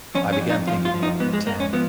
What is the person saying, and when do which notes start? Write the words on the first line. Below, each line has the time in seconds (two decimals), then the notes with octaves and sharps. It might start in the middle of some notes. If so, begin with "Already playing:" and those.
I began thinking about tan.
0.15 F2 C#4
0.33 C#4
0.41 F2
0.50 D#4
0.67 F3 F4
0.85 F4
0.94 F3
1.03 D#4
1.20 G#2 B3
1.33 G#3
1.46 G#2 A#3
1.60 C#4
1.73 F3 B3